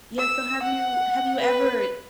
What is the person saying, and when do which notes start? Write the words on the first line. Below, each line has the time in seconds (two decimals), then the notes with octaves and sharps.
Yes, so have you have you ever,
0.18 E6
0.63 F#5
1.41 B4